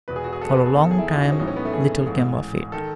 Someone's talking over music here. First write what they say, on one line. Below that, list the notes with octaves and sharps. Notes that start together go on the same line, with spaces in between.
For a long time little came of it.
E1 E2 B2 B4
G#4
F#4
G#4
A4
B4
A4
G#4
E1 E2 D#3
A4
G#4
E4
D#4
F#4
D#4
C#4
B1 A2 E3 D#4
C#4
B3
A3
G#4
A1 G#2 E3
D#3 A4